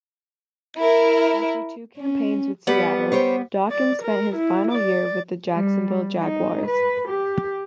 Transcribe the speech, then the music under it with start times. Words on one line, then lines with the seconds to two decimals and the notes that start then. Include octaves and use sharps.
After two campaigns with Seattle, Dawkins spent his final year with the Jacksonville Jaguars.
0.78 E4 A#4
1.97 C#4
2.67 G3 B3
3.12 G4 C5 C#5
3.71 D5
4.02 A#4
4.36 E4
4.71 D5
5.52 G3
6.20 D#4
6.67 B4
7.09 G4